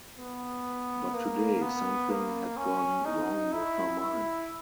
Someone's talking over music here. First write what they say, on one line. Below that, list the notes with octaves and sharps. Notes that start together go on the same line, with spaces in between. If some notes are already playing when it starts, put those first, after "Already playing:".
But today something had gone wrong with her mind.
B3
A#3
B3
A#3
C#4
D#4
E4
E4